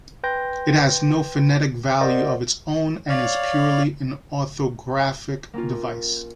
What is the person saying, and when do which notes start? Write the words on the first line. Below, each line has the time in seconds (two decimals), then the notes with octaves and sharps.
It has no phonetic value of its own and is purely an orthographic device.
0.24 B4 G5 C6 G6 A#6
2.01 A#4 C5 D5 D#5 F#5
3.09 C#5 D5 F5
5.54 A#3 C4 C#4 F4